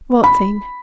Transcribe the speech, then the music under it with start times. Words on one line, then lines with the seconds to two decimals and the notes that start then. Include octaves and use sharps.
"What thing?"
0.24 B5